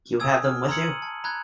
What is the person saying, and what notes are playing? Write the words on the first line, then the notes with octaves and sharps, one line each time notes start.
You have them with you?
G#5 D#6 E6 G#6
F6
A#5 C6 E6 G#6 C#7 F#7
D#7
A5
A#5 B5 F#6 G#6